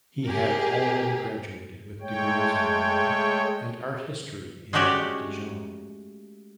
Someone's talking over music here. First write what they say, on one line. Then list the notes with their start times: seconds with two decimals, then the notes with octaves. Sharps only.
He had already graduated with degrees in law and art history in Dijon.
0.25 G4 G#4 A#4
2.01 G#3 A3 C#5 G5
4.73 G#3 A3 C#4 F#4 G4 D5